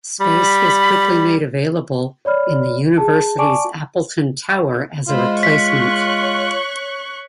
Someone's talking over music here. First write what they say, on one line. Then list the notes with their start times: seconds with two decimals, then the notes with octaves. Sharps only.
Space was quickly made available in the University's Appleton Tower as a replacement.
0.20 G3 B5
2.25 C#5 D5 B5 F6
2.98 G#4 A5
3.38 D5 G#5 A5 C#6 D6 D7
5.08 G#3 F4 C5 B5
5.43 C#5 C#6 F#6 B6